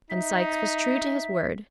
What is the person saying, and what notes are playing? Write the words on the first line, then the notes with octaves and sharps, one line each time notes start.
And Sikes was true to his word.
D#4 E5